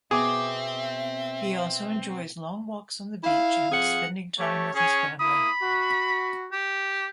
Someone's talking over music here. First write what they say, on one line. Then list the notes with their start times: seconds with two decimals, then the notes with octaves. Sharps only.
He also enjoys long walks on the beach and spending time with his family.
0.11 B2 C4 G#4 E5 D6
3.24 E4 F5
3.71 F2 G#4 F5 F#5
4.39 A3 G4 C#5
4.75 C#4 G#4 C#5 G#5
5.20 A#3 E4 B5 D#6
5.62 F#4
6.52 G4